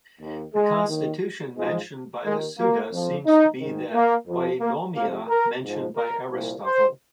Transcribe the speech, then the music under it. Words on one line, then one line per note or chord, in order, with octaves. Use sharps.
The "constitution" mentioned by the Suda seems to be the "Eunomia" mentioned by Aristotle.
D#2 D#3
G#3
D#2 D#3
G#2 F3 G#3
D#2 D#3 G#3
A#3
F2 F3
D#4
G#2 D#3
A#3
F2 F3
A#3
F2 C3 F3 A#3
A#4
G#2 F3
A#4
C2 A#2 F3
C5